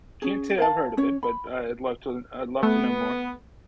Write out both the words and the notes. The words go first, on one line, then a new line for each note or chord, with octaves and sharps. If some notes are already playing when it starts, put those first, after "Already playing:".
can't say I've heard of it, but I'd love to I'd love to know more.
C#4 G#4
A#4 F5 A5
C#4 C#5
B5
A3 B3